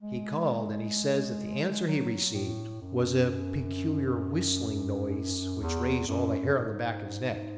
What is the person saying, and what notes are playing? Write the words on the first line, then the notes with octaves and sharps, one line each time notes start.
He called, and he says that the answer he received was a peculiar whistling noise which raised all the hair on the back of his neck.
G#3
F#3
A2
F#2
E2
F#2
G#2